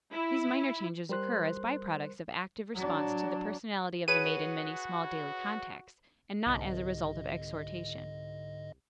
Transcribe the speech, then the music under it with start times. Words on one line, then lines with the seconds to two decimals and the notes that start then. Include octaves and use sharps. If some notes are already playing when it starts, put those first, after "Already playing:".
These minor changes occur as by-products of active response to the personality of the mate in many small daily contacts, and not as a result of exhortation.
0.11 E4
1.09 G3 A#4 C5 C6 F#6
2.75 F#3 D4
4.08 F#4 G#4 B4 C#5 D#7
6.47 C2 G#2 D3 D#5